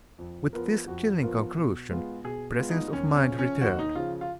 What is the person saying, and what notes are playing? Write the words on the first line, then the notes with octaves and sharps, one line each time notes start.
With this chilling conclusion, presence of mind returned.
F2
F3 B3 F4 A#4
F2 F#4
F3 B3 F4 A#4
B2
G#3 B3 F4
B2 G#4
G#3 B3 F4
D#4
D#2 C#4
C#4
C#3 F3
C#4
D#2 F#4
D#4
C#3 F3 F4
F4